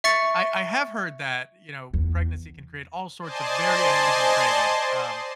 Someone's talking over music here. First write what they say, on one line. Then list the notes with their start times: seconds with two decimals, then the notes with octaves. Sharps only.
I I have heard that, you know, pregnancy can create all sorts of very unusual cravings, um,
0.04 E5 C#6 A6 C#7
1.93 E2
3.20 C5 D5 D#5 G#5 A5 C6